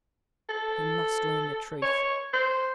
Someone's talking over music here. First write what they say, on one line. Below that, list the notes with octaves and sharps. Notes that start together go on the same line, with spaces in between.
He must learn the truth.
A4
C#5
C5